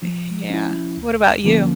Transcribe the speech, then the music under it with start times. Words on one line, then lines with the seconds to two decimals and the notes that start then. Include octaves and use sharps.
y-yeah, what about you?
0.03 F3
0.50 C#4 E4
0.97 D2
1.44 D3 F3 A#3 C#4